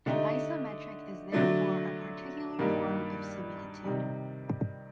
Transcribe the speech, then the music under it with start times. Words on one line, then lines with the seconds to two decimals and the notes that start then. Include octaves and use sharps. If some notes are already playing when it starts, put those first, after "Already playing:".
An isometric is therefore a particular form of similitude.
0.06 D3 A3 D#4 G4
1.32 D3 F#3 A3 D4
2.59 G2 D#3 G3 A#3
3.84 C3 D#3 G3